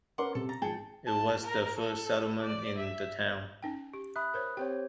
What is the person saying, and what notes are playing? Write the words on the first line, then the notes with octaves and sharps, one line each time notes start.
It was the first settlement in the town.
C#4 A#4 B4 F#5 C6 D6
C3 A4
A#5 A6
G#1 F3 G#4 G5 A5 C#7
A5
A#4
A4
D5
E5
C#4 D#4 G5
G4
E5 B5 D#6 F#6
A#4 C5 C#5
C4 G4 C5 C#5 G5